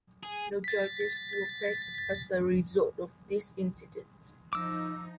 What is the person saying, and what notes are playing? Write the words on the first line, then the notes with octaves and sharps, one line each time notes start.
No charges were pressed as a result of this incident.
G#4
A6 B6
F3 D#4 D6 E6